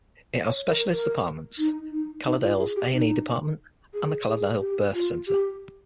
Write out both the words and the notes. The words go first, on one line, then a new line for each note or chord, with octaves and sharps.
It has specialist departments: Calderdale's A and E department and the Calderdale Birth Centre.
C#5
A#4
A#4
D#4
D#4
D#4
F4
G#4
G4
D#4
G#4
G#4
G4
F4
G4